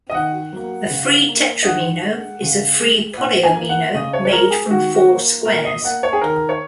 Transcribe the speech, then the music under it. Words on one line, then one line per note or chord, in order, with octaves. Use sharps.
A free tetromino is a free polyomino made from four squares.
D#5
D#3 F#5
F#3 A#3
C#3
A#3
D#5
D#3 F#5
G#3
C#3
G#3
A#2 F#5
G#5
A#3
F#5
C#3 D#5
C#5
C#5
G#3 A#4
G#4
D#3 F#4
F#4
A#3
A#2 A#4
D#5
A#3 F#5
C#5
G#4
D#3 A#4
C#5